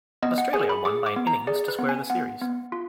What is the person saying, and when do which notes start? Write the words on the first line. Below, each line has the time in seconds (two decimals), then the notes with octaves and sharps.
Australia won by an innings to square the series.
0.23 B3 D#5
0.38 F#5
0.53 G#4 G#5
0.69 B5
0.85 G#4 D6
1.06 D6
1.16 B3
1.27 A#5
1.47 G#4 D5
1.68 B4
1.79 B3
1.89 G#5
2.10 B3 F#5
2.41 B3
2.72 F4